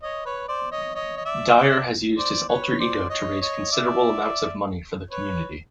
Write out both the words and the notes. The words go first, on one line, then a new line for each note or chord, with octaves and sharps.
Dyer has used his alter-ego to raise considerable amounts of money for the community.
C#5 D#5
B4 C#5
C5 D5
C#5 D#5
C#5 D#5
D#5
D5 E5
D5 E5
C5 D5
B4 C#5
C5 D5
C#5 D#5
C#5 D#5
D5 E5
B4 C#5